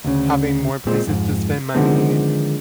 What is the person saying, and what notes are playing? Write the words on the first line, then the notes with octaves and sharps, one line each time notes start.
having more places to spend money,
D2 C#3
A#2 G#3 C4
F2 G#2
D3 D#3 F3 G#3 B3 C4